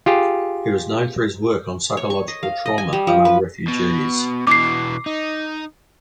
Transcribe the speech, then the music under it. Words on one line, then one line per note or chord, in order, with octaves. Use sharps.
He was known for his work on psychological trauma among refugees.
F4 G4 G#4
C#5
C#6
D#5
F5
D#5
G#5
G3
F3
B4
B2
B2 E3 D6 C7
D#4